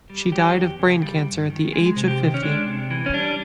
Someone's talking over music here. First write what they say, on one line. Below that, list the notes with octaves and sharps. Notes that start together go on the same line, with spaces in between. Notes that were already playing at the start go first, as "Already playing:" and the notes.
She died of brain cancer at the age of fifty.
G3
F#3 G4
E2
C#3
G3
G2
D#3
G#3 G#4
C3
G4
D#3
C#4
G#3 D4
C3
E3
C#4
G3 D4